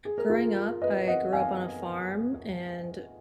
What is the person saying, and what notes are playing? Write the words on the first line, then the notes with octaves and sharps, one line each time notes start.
growing up, I grew up on a farm and
G#4
A#4
F4 G#4
B4 D#5
D#5 F#5
F5 G#5